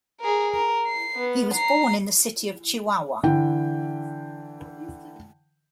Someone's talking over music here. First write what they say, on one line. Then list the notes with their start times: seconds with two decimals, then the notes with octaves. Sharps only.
He was born in the city of Chihuahua.
0.20 G#4 A#4
0.51 A#4
0.87 C7
1.16 B3
1.54 A#5 C7
3.23 D3 E3 G5